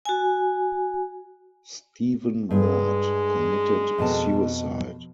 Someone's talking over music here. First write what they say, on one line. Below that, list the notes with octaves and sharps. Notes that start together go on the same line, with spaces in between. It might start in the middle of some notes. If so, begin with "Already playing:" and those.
Stephen Ward committed suicide.
F#4 G#5
G2 G#3
F2 B2 A5